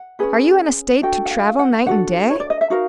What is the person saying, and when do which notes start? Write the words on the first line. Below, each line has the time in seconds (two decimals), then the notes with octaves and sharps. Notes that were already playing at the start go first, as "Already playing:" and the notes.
Are you in a state to travel night and day?
Already playing: F#5
0.19 C#4 E4 G#4 B4
1.02 D4 F#4 A4 G5
1.25 F#5
1.30 F5
1.59 F#5
1.86 D4 F#4 A4 F#5
2.30 C#5
2.40 D5
2.50 D#5
2.61 E5
2.70 D#4 F#4 A#4 F5